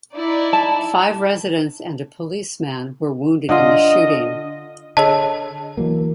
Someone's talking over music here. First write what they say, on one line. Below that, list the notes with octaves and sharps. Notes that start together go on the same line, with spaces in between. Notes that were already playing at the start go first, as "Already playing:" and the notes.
Five residents and a policeman were wounded in the shooting.
D#4 E4 D5
A5
D3 F4 D#5
D3 G#4 C#5 D#5 A5
E3 F#3 A#3